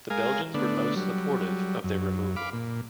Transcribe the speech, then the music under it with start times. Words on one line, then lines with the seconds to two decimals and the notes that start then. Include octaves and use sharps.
The Belgians were most supportive of their removal.
0.10 G#3 A#4 F5 G#5
0.54 D3 A3 B3 D4
0.96 F#3 G3
1.84 F#2
2.36 F5 B5 D6
2.53 A#2